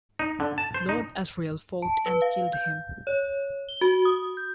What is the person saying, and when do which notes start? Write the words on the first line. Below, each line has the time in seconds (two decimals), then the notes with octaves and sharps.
Lord Asriel fought and killed him.
0.19 D#4
0.40 D3
0.58 A5
0.74 C5
0.89 D#4
1.82 A5
2.06 B4
2.22 F5
2.53 G6
3.07 C#5
3.69 G7
3.81 F#4
4.05 D#6
4.37 G6